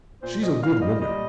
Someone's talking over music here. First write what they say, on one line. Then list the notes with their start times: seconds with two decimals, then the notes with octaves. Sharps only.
She's a good woman.
0.22 A#2 C5
0.42 A#2 D#5
0.63 A#2 F5
0.81 G3 D#5
1.01 G3 D#5